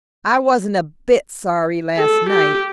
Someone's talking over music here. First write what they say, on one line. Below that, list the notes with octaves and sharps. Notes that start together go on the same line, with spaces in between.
I wasn't a bit sorry last night.
A4
G4